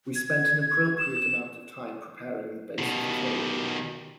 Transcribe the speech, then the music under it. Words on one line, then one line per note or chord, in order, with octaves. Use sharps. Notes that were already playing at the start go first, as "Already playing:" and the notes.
We spent an appropriate amount of time preparing the base of the cake.
G#6
E7
B2 D#3 G4